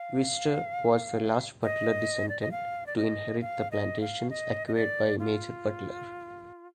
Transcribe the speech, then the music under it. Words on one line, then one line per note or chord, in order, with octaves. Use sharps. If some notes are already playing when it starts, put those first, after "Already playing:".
Wister was the last Butler descendant to inherit the plantations acquired by Major Butler.
Already playing: F5
D#5
D5
D#5
F5
D5
D#5
F5
D#5
F5
D#5
D#5
D5
F4